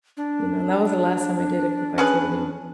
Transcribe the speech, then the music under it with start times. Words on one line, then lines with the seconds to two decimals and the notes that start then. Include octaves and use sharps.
You know, and that was the last time I did a group activity.
0.17 D4
1.98 C#4 G#4 B4